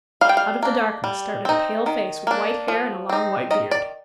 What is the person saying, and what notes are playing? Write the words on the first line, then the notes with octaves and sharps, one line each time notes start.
Out of the darkness started a pale face with white hair and long white beard.
G3 F5
G5
F5
A#3 D4
G3
C4 D#4
D#3
A#3 D4
F3
C4 D#4
D#3 D#5
D5